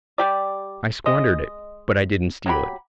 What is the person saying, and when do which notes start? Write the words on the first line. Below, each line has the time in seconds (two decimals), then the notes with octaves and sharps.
I squandered it, but I didn't steal it.
0.18 G3 G4 D5
1.06 G#3 D#5
2.46 F#3 G4 B5